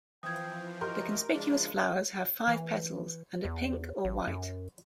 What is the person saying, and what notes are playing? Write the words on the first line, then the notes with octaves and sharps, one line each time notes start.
The conspicuous flowers have five petals, and are pink or white.
E3 F3 C4 F5 G5 D#6 G#6
E4 F#4 G4 A#4 D#5 C6 G6
C#3 F3 G#3 D4 G#4
E3
E2
A1
F#2